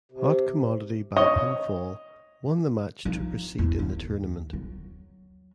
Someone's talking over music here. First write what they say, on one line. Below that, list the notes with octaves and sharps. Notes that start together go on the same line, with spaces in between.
Hot Commodity by pinfall won the match to proceed in the tournament.
C3
C#5 D#5 D#6
F3 D#4
E2
D#2
F#3